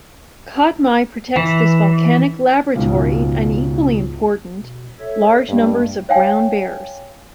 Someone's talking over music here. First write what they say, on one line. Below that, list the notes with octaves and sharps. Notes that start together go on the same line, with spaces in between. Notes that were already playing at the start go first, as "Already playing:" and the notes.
Katmai protects this volcanic "laboratory" and, equally important, large numbers of brown bears.
E3
C#2 G#2 B2
B2
A4 C#5 E5
G2 G#3 A#3
C#5 F5 G5 G#5